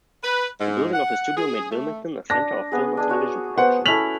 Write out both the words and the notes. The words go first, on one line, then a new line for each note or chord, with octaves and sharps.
The building of the studio made Wilmington a center of film and television production.
B4
G#2
F#5
G#4
A3
D4 A#6
B3 G#4
D4 G#4
F#4 C#5
B3 C5 F#5
C#4 E4 A4 B6 F7 F#7